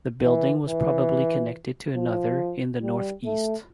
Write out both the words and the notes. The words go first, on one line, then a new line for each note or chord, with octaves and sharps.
The building was probably connected to another in the northeast.
E3
E3
F3
G3
A3